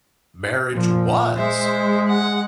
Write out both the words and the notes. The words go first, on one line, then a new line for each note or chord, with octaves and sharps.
marriage was,
A#2 F3
G#3 C5 E5
F#5